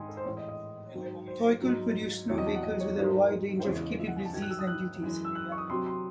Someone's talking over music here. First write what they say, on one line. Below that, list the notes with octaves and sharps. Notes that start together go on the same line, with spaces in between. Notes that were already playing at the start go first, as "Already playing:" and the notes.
Thiokol produced snow vehicles with a wide range of capabilities and duties.
Already playing: G#2 D#3 G#3 G#5 C6 D#6
A4
C5
A2 E3 G#3 C#5
D#5
D#5
G#2 D#3 F#3
C5
G#2 F#3
E2 C3 F#3 C#5
D#5
A5
F#5
D#5
C#5
G#2 F#3 C5
C5
E2 C#3 E3 G#3 C#5
D#5
E5
F#5
G#5
A5
G#2 D#3 F#3 G#6
F#6
E6
D#6
F#6
F#2 E3 G#3
E6
F#6
C#6
D#6
C3 F#3 C6
C6